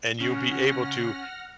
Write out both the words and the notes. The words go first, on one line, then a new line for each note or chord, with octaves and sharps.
and you'll be able to
C#3 C#4 F#5 F6 A#6